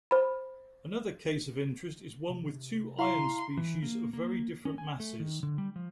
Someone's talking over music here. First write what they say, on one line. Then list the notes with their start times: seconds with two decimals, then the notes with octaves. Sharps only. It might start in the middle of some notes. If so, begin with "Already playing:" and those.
Another case of interest is one with two ion species of very different masses.
0.11 C5 B5
2.29 C3
2.99 E4 F5 A#5 C6
3.57 E3
3.83 A#3
4.13 A#3
4.65 C#4
4.78 G#5
5.00 A3
5.20 D#3
5.43 D3
5.58 G3
5.76 F3